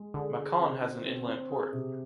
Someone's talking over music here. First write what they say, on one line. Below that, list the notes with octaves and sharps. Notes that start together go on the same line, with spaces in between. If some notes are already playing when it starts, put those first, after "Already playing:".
Mâcon has an inland port.
Already playing: G#3
D3 G#4
G#4
C4
C4
C4
C4
G#4
C3